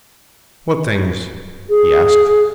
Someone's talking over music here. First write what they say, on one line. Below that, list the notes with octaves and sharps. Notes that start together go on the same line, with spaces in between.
"What things?" he asked.
G#4